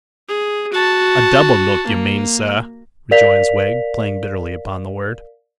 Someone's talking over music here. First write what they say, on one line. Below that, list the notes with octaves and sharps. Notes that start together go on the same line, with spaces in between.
'A double look, you mean, sir,' rejoins Wegg, playing bitterly upon the word.
G#4
F#4 A5
A#3
A#4 D5 F5 B6 F7